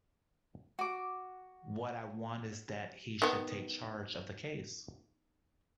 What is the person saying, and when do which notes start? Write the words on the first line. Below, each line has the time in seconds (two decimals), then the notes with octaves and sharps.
What I want is that he should take charge of the case.
0.79 F#4 D6
3.22 D#3 B3